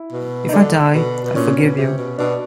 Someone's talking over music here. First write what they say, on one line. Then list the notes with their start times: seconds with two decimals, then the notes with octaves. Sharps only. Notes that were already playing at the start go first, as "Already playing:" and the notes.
If I die, I forgive you.
Already playing: E4
0.13 B2
0.49 D#4
0.53 D3 D4
0.94 B2
1.25 B2
1.35 A#2 C#4
1.56 B2
1.77 C3
1.98 B2
2.18 B2 D4